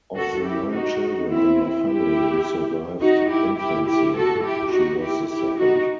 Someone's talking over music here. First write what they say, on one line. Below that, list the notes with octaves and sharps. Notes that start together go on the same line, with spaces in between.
Of the nine children in her family who survived infancy, she was the second.
F#4 A4
E4 G4
D#4 F#4
C4 E4
E4 G4
D#4 F#4
E4 G4
E4 G4
E4 G4
F#4 A4
E4 G4
D#4 F#4
E4 G4
E4 G4
D#4 F#4